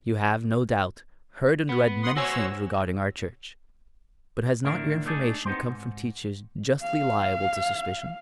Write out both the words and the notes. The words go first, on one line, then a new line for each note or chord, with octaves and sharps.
You have, no doubt, heard and read many things regarding our Church; but has not your information come from teachers justly liable to suspicion?
B3
F#5 C6 D#6
F#4 C5 C#5 G#5 E6
D2 A2 D3 D4 A#4 E5
A3 D4 D#4 G#4 A4
B3 C4 D#4 G4 C5
G#2
F5